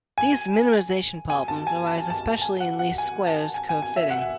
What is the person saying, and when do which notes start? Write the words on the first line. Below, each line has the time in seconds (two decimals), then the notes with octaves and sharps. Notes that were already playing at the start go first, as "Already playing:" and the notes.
These minimization problems arise especially in least squares curve fitting.
0.18 G#5
1.30 G#5
1.48 A5
1.67 G#5
1.87 A5
2.10 A5
2.42 G#5
2.60 F#5
2.79 F#5
2.98 G#5
3.27 A5
3.54 G#5
3.69 G#5
3.82 G#5
3.96 E5
4.10 F#5